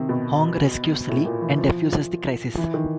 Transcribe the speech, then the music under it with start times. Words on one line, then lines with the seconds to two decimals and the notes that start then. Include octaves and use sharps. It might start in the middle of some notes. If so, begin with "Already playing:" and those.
Hong rescues Lee and defuses the crisis.
Already playing: C3 D#3
0.09 B2
1.09 A2
1.25 A#2
1.42 E3
1.58 F3
2.57 E3
2.74 D#3